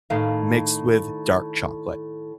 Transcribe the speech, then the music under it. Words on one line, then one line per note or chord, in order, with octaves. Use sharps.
mixed with dark chocolate.
A2 D#3 F5